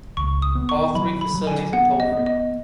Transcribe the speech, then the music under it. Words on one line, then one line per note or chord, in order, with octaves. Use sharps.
All three facilities are toll-free.
C#2 C#6
D#6
B3
C#6
F#3 B5
B5
F#3
G#5
B3 F#5
D#5
B3
D#5